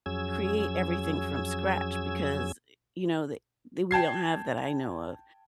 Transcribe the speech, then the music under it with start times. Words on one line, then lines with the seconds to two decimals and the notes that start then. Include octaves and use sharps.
create everything from scratch because, you know, that- that we don't have that I know of-
0.06 F2 F#3 C#4 G#4 E6 G#6
3.91 G5 A5 G#6 C7